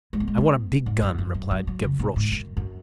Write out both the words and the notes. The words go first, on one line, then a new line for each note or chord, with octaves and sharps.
"I want a big gun," replied Gavroche.
G#3
B3
G#3
B3
G#2
F#2
F#2
F#3
F#3
F#3
C#3
B2
G#2
F#2
F#2